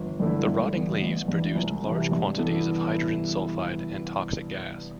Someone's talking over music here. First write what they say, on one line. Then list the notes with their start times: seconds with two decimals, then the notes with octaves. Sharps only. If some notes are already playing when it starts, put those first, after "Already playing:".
The rotting leaves produced large quantities of hydrogen sulfide, a toxic gas.
Already playing: G1
0.20 G2 D3 A3 E4
0.47 G2
0.75 E3 B3
1.02 A1
1.28 G2 E3
1.55 C2
1.84 C3 E3
2.11 G2
2.38 E3 B3 E4 A4